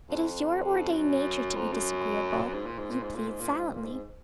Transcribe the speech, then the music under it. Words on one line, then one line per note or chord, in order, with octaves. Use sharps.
It is your ordained nature to be disagreeable; you plead silently.
F2
F#2
F2
F#2
G#2
A#2
G#2
A#2
G#2
A#2
G#2
A#2
G#2
A#2
G#2